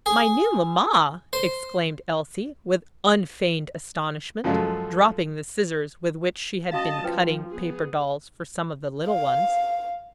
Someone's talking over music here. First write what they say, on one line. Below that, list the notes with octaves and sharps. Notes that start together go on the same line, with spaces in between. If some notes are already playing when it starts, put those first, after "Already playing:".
"My new mamma!" exclaimed Elsie, with unfeigned astonishment, dropping the scissors with which she had been cutting paper dolls for some of the little ones.
G#4
C5
F#2 F3 F#3 G#3 A3
C#4 F#4 D#5 F5 A5
F3 B4 C5 G5
B3 G#4
F5